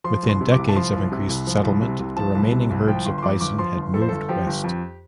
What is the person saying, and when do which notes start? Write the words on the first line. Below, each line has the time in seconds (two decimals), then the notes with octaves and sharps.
Within decades of increased settlement, the remaining herds of bison had moved west.
0.04 F3 C6
0.23 C2
0.29 C6
0.41 C3
0.52 D6
0.58 C2
0.69 A5
0.76 F3 C6
0.93 C2
1.12 C3
1.29 C2
1.47 F3
1.63 C2
1.82 C3
1.99 C2
2.17 F3 A5
2.35 C2
2.52 C3
2.70 C2
2.87 F3 G5
3.05 G1 C6
3.18 C6
3.23 F2 D6
3.41 G1 D6
3.58 F3 C6
3.76 G1
3.94 F2 A4
4.02 C5
4.09 G1 A4
4.29 F3 G4
4.47 G1
4.64 F2